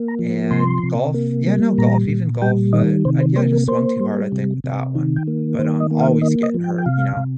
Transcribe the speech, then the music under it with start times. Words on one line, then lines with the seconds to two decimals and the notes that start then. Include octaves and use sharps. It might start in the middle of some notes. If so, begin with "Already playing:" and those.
and golf yeah, no golf, even golf, uh, I yeah I just swung too hard, I think with that one, but I'm always getting hurt, you know,
Already playing: A#3
0.08 A#5
0.19 F3
0.51 C3 C6
0.83 C3
1.14 A#3
1.46 G3
1.78 A#2 A#5
2.09 A#2
2.42 G3 G5
2.73 D#3 D#5
3.05 C3 C5
3.20 C5
3.36 A#3 C5
3.52 A#4
3.68 A#3 C5
4.00 G3
4.32 C3
4.64 C3
4.95 D#3
5.16 G5
5.27 A#3
5.59 D#3 C5
5.80 D#5
5.91 A#3
6.01 F5
6.21 A#3 D#5
6.43 D#5
6.54 F3
6.64 G5
6.78 G5
6.86 C3 F5
7.17 C3